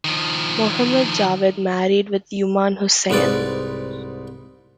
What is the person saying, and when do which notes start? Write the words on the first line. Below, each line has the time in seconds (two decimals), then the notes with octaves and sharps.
Mohammad Jawed married with Yuman Hussain.
0.05 D#3 F3
3.10 C2 G#2 B4 D5